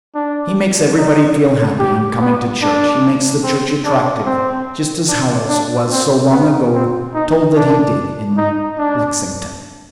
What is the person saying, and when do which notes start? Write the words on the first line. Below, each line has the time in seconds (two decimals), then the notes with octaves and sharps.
He makes everybody feel happy in coming to church; he makes the church attractive just as Howells was so long ago told that he did in Lexington.
0.15 D4
0.97 D#4
1.79 G4
2.21 B3
2.62 D4
3.43 C4
3.85 D4
4.26 C4
5.08 D4
5.50 D4
5.91 C4
6.32 B3
6.73 C4
7.14 D#4
7.56 D4
8.37 D#4
8.78 D4